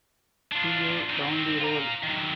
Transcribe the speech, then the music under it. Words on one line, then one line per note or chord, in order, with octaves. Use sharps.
See you down the road.
D4 F4
D#3 C4
F4 A#5
D#3 F#3